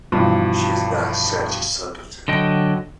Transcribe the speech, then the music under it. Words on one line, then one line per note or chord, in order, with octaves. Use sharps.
She is not such a simpleton.
G2 B2 E3 F3
D3 F#3 D#5 G5